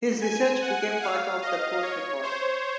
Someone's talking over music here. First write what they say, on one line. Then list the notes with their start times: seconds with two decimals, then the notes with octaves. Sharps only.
His research became part of the court record.
0.22 G#5
0.62 F#5
1.02 F5
1.42 D#5
1.83 C#5
2.23 C5